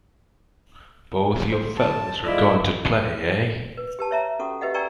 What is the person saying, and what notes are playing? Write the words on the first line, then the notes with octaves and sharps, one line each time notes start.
Both you fellows are going to play, eh?
C5
A5
G#3 E4 F4 D5
B4
B4
G4 B4 A5
C#5 E5 A#5
C#4 F#4 A4 F#5 C#6 D#6
G4 B4 C5 D#5 E5 F#5
D5 G5 G#5 A#5 C#6 E6